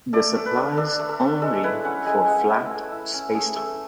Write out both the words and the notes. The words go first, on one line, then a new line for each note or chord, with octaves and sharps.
This applies only for flat spacetime.
A3 D5
A3
B4
D4
D4 A4
A3
A4
A3
G#3 A4
E4 B4
C#4 F#5
G#3 G#5
G#3 F#5
E4 E5
A3
E4
C#4
A3 G#4
A3 A4